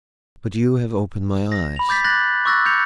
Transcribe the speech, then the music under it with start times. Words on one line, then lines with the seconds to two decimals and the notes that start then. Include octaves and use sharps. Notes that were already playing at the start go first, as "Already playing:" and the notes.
But you have opened my eyes.
1.52 A#6
1.76 B5 F7
1.89 D6 G6 A6 B6
2.04 F#6 A6 A#6 F#7
2.45 C#6 D6 E6 F#6 A6 A#6
2.65 F#6 G6 A#6 C#7 F7